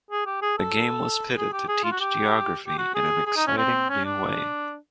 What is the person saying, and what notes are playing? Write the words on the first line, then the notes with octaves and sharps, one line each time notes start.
The game was pitted to teach geography in an "exciting new way".
G#4
G4
G#4
A4
G#4
G4
G#4
F4
F#4
G4
G4
F#4
G#4
G#4
D#4
C#4
C4
C#4
D4